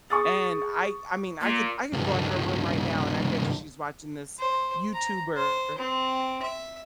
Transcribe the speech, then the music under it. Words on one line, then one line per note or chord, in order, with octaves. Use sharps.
And I I mean, I could I could go in her room right now and I bet you she's watching this YouTuber
G#4 C#6 D#6 A6
A#2 A#3
C#2 G2
C5
A#5
C5
C4
E5